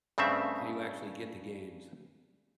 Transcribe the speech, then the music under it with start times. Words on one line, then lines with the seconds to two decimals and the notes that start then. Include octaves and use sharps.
how you actually get the games,
0.18 G2 C#3 A3 C4 E5